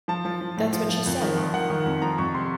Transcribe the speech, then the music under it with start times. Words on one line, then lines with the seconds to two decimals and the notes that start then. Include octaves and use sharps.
That's what she said!
0.08 F3 A5
0.25 F3
0.41 F3
0.57 A2
0.73 F3
0.89 F3
1.06 F2
1.21 D#3
1.38 D#3
1.54 D#3 F#5
1.70 D#3
1.86 F2
2.02 F3 A#5
2.18 F2 C#6
2.34 C3 C6